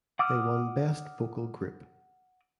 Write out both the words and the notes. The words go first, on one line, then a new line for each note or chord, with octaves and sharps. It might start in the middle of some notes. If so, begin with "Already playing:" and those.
They won Best Vocal Group.
F#5 D6 D#6 F6